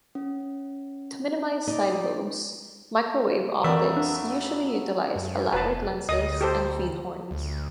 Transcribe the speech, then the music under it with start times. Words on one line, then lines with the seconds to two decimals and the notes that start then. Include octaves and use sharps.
To minimize side lobes, microwave optics usually utilize elaborate lenses and feed horns.
0.15 C#4
1.67 D#4 D5
3.64 F2 E3 F#3 B3 A#4 D5 E5 F5
3.97 D4
5.16 F#2
5.53 F1 B4 A5
6.09 D2 D#5 D#6
6.41 G4 A4 C5
7.31 D2